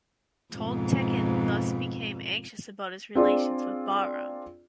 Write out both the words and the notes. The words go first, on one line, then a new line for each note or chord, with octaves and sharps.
Toghtekin thus became anxious about his relations with Bahram.
F2 G#2 B2
C4 D4 F4 G#4 D5